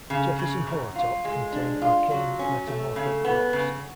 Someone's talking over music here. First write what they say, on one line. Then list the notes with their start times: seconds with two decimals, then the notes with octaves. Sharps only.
Jefferson-Hollowtop contain Archean metamorphic rocks.
0.10 C#3
0.39 C#3
0.67 F#2
0.96 F4
1.25 G#3
1.53 D4
1.82 F4
2.11 F#3
2.39 C#4
2.67 A3
2.96 C#3
3.25 B3
3.53 C#3